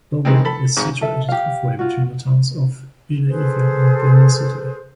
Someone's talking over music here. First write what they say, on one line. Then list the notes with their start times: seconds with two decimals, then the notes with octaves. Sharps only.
Owo is situated halfway between the towns of Ile Ife and Benin City.
0.25 D#3 E3 G#3 C4
0.45 A4 B5
0.77 G#1 G#2 C#6
1.01 A4 E5
1.29 G4 F5
1.79 F4 F#4
3.28 G#4 A4 B4 C5